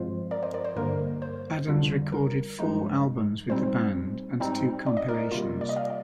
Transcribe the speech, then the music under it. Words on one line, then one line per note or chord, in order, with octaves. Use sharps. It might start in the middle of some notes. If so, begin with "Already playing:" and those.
Adams recorded four albums with the band and two compilations.
Already playing: G2 F3 G#3 C4 F4 C5 D#5
A#4 D5
C5 D#5
A#4 D5
C5
G2 D3 G3 A#3 A#4
C5
F2 D3 G3 D4 F4
A#4
G2 F3 G#3 D#4
A#2 G3 C4 D#4 C5
G#2 G3 C4 D#4
D5
D#5
A#4 D5
C3 G3 A#3 F4
D5
D#5
D5 F5